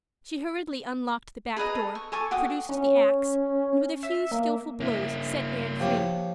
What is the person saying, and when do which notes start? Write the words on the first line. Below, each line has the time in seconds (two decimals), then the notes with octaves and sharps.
She hurriedly unlocked the back door, produced the axe, and with a few skillfull blows set Anne free.
1.57 G#4 B4 D#5 A#5
1.75 A4
1.95 C#6
2.12 A4 G#5 C#6 D6
2.31 F#4 G5 D6 D#6
2.69 C#4
4.03 E5
4.31 A#3
4.80 A#3 E4
5.80 F3 G4 C#5